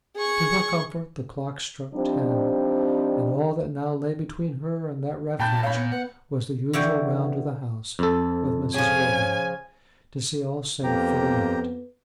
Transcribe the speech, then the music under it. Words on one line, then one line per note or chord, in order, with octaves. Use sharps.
To her comfort the clock struck ten, and all that now lay between her and that refuge was the usual round of the house with Mrs. Wardour, to see all safe for the night.
G#4 C#6
F3 G3 C4 D4 D#4
A#2 G5 A5 B5 G6
C#5 F5 B5
B3
B4 F#5
D3 E3 F#4 G5
F2 A4
C#3 F3 G#5
F2 A#3 B3 G4 G5 A#5